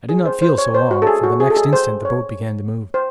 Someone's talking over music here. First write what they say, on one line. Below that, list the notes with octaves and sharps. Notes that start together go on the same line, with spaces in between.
I did not feel so long, for the next instant the boat began to move.
G#4
C5
C5
C#5
C5
F#4
A4
G#4
F#4
G#4
A4
G#4
C5
C#5
C5